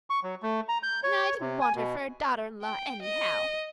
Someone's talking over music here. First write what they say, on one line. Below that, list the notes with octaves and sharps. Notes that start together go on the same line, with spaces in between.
And I didn't want her for a daughter-in-law anyhow.
C#6
F#3
A3
A#5
G6
C#5
C3
G#5
B2
G5
D#5